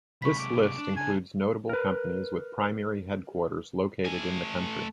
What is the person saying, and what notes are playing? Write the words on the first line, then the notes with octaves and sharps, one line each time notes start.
This list includes notable companies with primary headquarters located in the country.
C3 G#3 B5 C#6 B6
D6
D4
C#2 D4 G#5
A#4 B4
A3 G#5